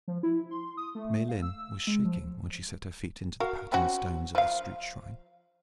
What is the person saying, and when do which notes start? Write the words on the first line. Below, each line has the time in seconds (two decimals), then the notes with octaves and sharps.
Miellyn was shaking when she set her feet into the patterned stones of the street-shrine.
0.08 F3
0.23 E4
0.51 C6
0.77 D#6
0.95 A3
1.29 F5
1.42 E6
1.87 G#3
2.05 F3
3.40 F#4 A#4 F5
3.72 C4 C#4 F#4
4.35 F3 F5